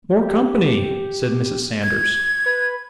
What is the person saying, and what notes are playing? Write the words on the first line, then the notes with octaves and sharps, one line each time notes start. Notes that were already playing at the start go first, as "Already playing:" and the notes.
'More company!' said Mrs. Sanders.
G4
G#6
B4